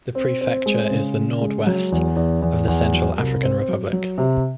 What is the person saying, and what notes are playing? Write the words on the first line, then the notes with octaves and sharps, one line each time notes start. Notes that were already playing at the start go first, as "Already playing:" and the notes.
The prefecture is in the nord-west of the Central African Republic.
C4
C4
G#3
C#3
C#3
G#3
F#3
E2
E2
E2
E2
F#3
C2
C4
F#3
F#3
C3